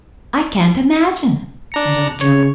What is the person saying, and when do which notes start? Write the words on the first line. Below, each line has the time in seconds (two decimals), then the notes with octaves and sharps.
"I can't imagine," said Ojo.
1.72 D4 A#5 C#7
2.21 C#3 C#5